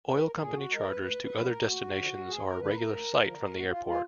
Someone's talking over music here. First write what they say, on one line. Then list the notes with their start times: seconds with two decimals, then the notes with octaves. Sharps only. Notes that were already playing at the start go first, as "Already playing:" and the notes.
Oil company charters to other destinations are a regular sight from the airport.
0.08 G#3 B4
0.25 A#4
0.35 A#4
0.39 A#2 G#4
0.56 F#4
0.71 G#3 A#4
0.87 B4
1.02 D2 B4
1.24 B4
1.34 D3 F3
1.44 A#4
1.65 D2 F#4
1.96 D3 F3
2.28 D2 G#4
2.44 A#4
2.59 D3 F3 B4
2.75 A#4
2.91 D2
3.23 D3 F3
3.54 A#2 F#4
3.69 F4
3.85 F3 G#3 F4